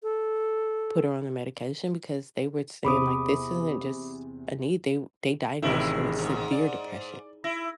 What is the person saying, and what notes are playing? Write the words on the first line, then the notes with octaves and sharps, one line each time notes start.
put her on the medication, because they were j saying, like, "This isn't just a need." They they diagnosed her with severe depression."
A4
E2 C3 C5 B5 D6 D#6
A1 C3 D#3 G#3 E4
G#2
D5
E4 A#6